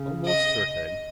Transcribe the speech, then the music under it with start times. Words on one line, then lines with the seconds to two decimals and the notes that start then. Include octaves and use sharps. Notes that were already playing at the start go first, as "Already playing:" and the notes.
Almost certain.
Already playing: C#3
0.26 D#5